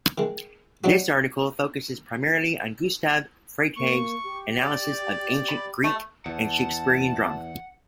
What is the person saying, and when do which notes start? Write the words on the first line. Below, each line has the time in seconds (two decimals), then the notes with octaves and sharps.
This article focuses primarily on Gustav Freytag's analysis of ancient Greek and Shakespearean drama.
0.18 D#3 G#3
0.84 F#3 G3 D4 D#4 F#4
3.76 A#3 C#6
4.24 G4
4.61 D5
5.49 B5
5.84 A3
6.26 E2 F#5 A5